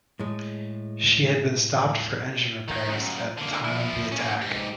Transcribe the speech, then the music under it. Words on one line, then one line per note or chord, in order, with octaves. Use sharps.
She had been stopped for engine repairs at the time of the attack.
A2 G#3
D#3
F#2 A#2
D3 A#3
F3 E4
A#3 C#4
G#2 G4